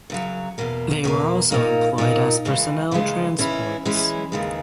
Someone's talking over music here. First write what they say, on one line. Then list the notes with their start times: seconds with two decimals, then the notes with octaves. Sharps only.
They were also employed as personnel transports.
0.10 F#2 C#3 F#3
0.58 E2 B2 A#3
1.04 E2 B2 A#3
1.51 A#2 A#3 D#4
1.98 A#2 A#3 D#4
2.45 D#2 C#3 E3 G#3
2.91 D#2 C#3 E3 G#3
3.39 E3 G#3 C#4 E4
3.85 E3 G#3 C#4 E4
4.32 D#2 C#3 E3 G#3